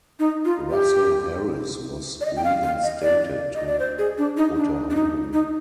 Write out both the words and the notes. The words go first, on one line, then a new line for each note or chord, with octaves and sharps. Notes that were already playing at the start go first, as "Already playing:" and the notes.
Russell Harris was reinstated to Otahuhu.
D#4
F4
G4
D5
D#5
G5
F5
F5
D#5
D5
D#5
D5
C5
G#4
D4
D#4
D4
D4
D#4
D#4